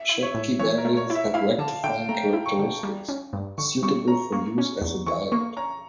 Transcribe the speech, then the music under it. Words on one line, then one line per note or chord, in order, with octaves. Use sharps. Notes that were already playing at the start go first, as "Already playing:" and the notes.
Schottky barriers have rectifying characteristics, suitable for use as a diode.
Already playing: E5
E4
C#5
A2
E3 C#5
A#4
A3
C#5
E4
E5
E4 F5
D3 A5
D3 G5
A3 A#5
E4
C#6
D3
G3
C#4
G2
D3 C#6
G3 C#6
C#4 A#5
A#3 C#6
C#4
E2
E3 C#6
A#3 C#6
C#4 A#5